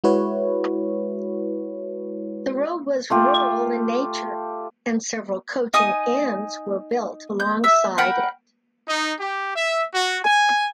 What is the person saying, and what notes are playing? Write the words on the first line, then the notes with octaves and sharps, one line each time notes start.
The road was rural in nature and several coaching inns were built alongside it.
G#3 E4 F#4 B4 C#5
A3 F4 G4
D#4 G#5 D#6
G6
E5 E6
A#4 F#5 G5 B5
D#4
G4
E5
F#4
G#5